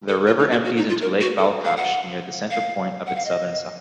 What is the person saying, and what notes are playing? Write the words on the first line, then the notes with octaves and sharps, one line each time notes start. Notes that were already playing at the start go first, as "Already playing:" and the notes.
The river empties into Lake Balkhash near the centerpoint of its southern side.
A4
F4
D#4
F#4
F#4
D#4
F4
A#4
F#4
A4
F5
F#5
F5
F#5
F5
D#5